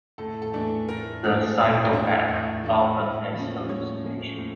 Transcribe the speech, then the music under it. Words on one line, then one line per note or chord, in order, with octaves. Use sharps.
The psychopath often has hallucinations.
A2 A4
A4
E3 A3 D4
A2 A#4
E3 A3 D4
A2
E3 A3 D4
A2
E3 A3 D4
A2
F3 A#3 C#4
A2 C#5
F3 A#3 C#4
A2